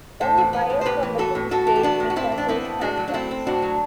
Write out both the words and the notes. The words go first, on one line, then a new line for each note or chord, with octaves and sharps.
Only buyers from within the state may purchase handguns.
A2 A4 C5
E3
B3
A2
C5
A2 G4 B4
E3
B3 F#4 A4
A2
A2 F#4 A4
E3
G4
B3 D4 F#4
A2
F#4
A2 C4 E4
E3
D4
B3 C4 E4
A2
A2 D4 F#4
F#3
D4
A3 C4 E4
C4
A2 D4 F#4
F#3